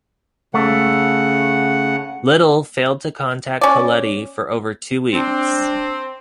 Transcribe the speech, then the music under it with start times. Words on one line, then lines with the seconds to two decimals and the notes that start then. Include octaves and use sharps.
Little failed to contact Colletti for over two weeks.
0.54 C#3 A3 F#5
3.61 C#4 D5
5.13 C4 D4